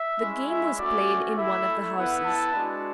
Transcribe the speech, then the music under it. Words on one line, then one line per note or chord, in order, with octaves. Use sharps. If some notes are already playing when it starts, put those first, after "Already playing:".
The game was played in one of the houses.
Already playing: E5
G#3 C#4 E4
E5
A3 C#4 F#4 D5
A3 E4 E5
B3 E4 F#5
A5
G#3 D4 F#4